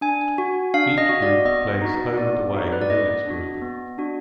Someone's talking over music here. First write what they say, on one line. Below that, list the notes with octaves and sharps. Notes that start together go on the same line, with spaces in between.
Each group plays home-and-away within its group.
D4 G#5
F#4
D4 F5
D#5
F#4
D5
B3 D#5
D#4 F#4
B3 D5
D#4 F#4
B4
D5
B3 D#5
D4 F#4
B3
D4 F#4